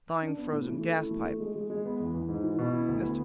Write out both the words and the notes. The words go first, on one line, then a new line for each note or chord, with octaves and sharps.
Thawing Frozen Gas Pipe.--Mr.
D4
B3
A2
E3
A3
E4
A3
A3
G#3
G#3
G#3
B3
E2
E2
G#2
E3
B2
E4
D2
B3